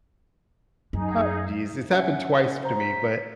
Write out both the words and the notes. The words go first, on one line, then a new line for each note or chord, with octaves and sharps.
"Oh, jeez," it's happened twice to me, but
F#2 D#4 G#4
C#4 E5 F#5
C5 A#5
B6